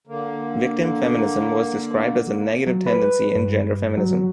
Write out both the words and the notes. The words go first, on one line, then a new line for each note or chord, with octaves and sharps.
Victim feminism was described as a negative tendency in gender feminism.
D3 A#3
F#3
B4
G2
F#3